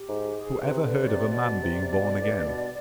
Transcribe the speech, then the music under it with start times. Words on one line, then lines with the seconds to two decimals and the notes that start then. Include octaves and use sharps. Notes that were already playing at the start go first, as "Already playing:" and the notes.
Who ever heard of a man being born again?
Already playing: G4
0.09 G#2
0.39 G#4
0.62 C3 B4
0.85 D3 B4
1.08 C3 D5
1.32 B2
1.63 C3
1.82 C3
1.93 B2
2.19 G#2
2.23 G2
2.46 B2